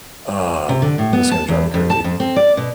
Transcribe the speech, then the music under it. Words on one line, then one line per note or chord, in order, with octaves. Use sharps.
Um, that's gonna drive me crazy.
C3
D3
A2
B3
A5
E2
F2
A5
F2
C4
D5
B2